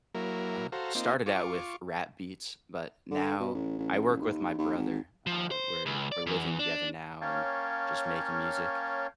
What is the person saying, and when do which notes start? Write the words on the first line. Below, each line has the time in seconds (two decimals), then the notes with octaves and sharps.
Uh, started out with rap beats, but now I work with my brother. Uh, we're we're living together now and just making music.
0.15 F#3 A#3 E4 A#4
0.72 F#4 A4 C5 F5 A#5
0.95 A#3 C4 D#4 F4
1.26 F4 C#6 D6
3.11 D3
3.40 B2
3.55 A1
3.79 A1
4.08 A1
4.21 D#2
4.58 D#2
4.78 G#1
5.27 F3
5.51 C5
5.86 C#2
6.12 D5
6.26 E2
6.59 D4
7.21 A#3 C#4 C#5 F5 G5 A5